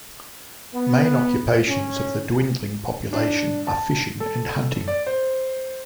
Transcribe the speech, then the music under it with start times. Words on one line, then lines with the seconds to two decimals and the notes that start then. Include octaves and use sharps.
Main occupations of the dwindling population are fishing and hunting.
0.74 B3
1.67 C#4
3.13 D4
3.67 A5
4.20 A4
4.88 D5
5.06 C5